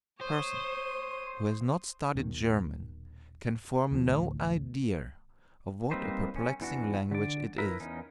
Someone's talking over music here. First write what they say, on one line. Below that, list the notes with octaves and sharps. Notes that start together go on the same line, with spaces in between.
A person who has not studied German can form no idea of what a perplexing language it is.
C5 C#5 D#6
D#1 B2 D#3
D#2 B2 F3
A1 D2 A2
G3 A#3 C4 D#4 B4 C5
C#4
E2 E3 D4 F#4
D3 D5
E4 A#4 B4
E2 C#4 D#4